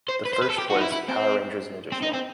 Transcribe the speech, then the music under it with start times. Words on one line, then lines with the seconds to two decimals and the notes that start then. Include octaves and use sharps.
The first was "Power Rangers Ninja Storm".
0.08 C5
0.25 B4
0.33 C5
0.42 B4
0.50 A4
0.58 G4
0.70 F#4
0.75 D#4
0.81 E4
0.92 E4
1.08 C4
1.92 C4
2.02 D#4
2.14 C4